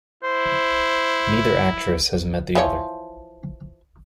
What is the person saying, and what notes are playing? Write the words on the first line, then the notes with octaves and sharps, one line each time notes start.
Neither actress has met the other.
E4 C5
E3 F3 C#5